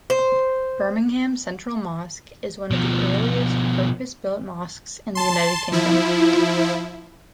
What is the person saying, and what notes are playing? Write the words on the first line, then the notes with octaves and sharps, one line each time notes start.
Birmingham Central Mosque is one of the earliest purpose-built mosques in the United Kingdom.
C5
B2 F3
A5 C6
F3 E4